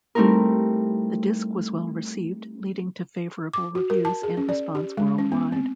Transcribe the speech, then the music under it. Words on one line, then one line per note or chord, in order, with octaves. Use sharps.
The disc was well received, leading to favorable reviews and response worldwide.
G3 A3 C4 D#4 E4 A#4
D6
F#4
A#4
A5
G#4
C#4
D5
G4
G#3
C#4
B3
C4